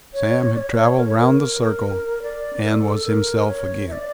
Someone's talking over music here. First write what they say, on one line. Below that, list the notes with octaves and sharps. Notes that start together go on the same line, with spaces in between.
Sam had traveled round the circle and was himself again.
C#5
D5
C#5
A#4
C#5
A#4
D5
A#4
A4
A#4
C#5
E5
D5